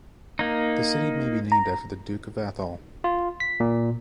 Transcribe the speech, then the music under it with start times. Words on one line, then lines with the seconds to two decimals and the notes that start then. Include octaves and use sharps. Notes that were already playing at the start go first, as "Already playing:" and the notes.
The city may be named after the Duke of Atholl.
0.39 A#3 D#4
1.52 A#5
3.04 F4
3.40 B6
3.60 A#2